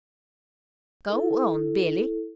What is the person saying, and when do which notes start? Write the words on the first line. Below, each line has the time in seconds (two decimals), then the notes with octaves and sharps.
"Go on, Billy."
1.09 E4 A4